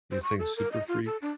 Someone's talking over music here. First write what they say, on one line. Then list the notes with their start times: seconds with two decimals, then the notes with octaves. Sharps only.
they sing Super Freak,
0.11 C5
0.23 C#6
0.39 A4
0.57 A#4
0.72 D#5
0.88 F4
1.06 A4
1.22 D4